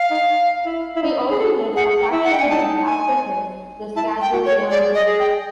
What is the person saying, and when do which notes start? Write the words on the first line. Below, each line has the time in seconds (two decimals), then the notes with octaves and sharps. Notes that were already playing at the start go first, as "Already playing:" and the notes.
He also led a faction named after him, the "Scajoliani".
Already playing: F5
0.11 D#4
0.66 E4
0.96 E4
1.02 D#4
1.30 G#4
1.39 A4
1.76 G#4 F#5
2.01 G5
2.12 E4
2.24 F#5
2.33 G5
2.41 D4 G#5
2.49 D#4 A5
2.86 G#5
3.96 E4 A5
4.21 G5
4.33 F#4
4.46 C#5
4.70 G#4 D5
4.95 D#5
5.07 G#4
5.20 G5